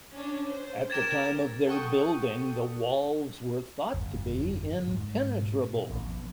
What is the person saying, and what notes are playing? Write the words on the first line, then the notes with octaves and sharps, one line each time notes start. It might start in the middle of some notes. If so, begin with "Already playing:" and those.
At the time of their building, the walls were thought to be impenetrable.
C#4 D4
C5
G4 A#4 G#6 A6 E7
A4 F#5 G5 C#6 D#6
G1 F2
G#2
B2
A1
F3 B3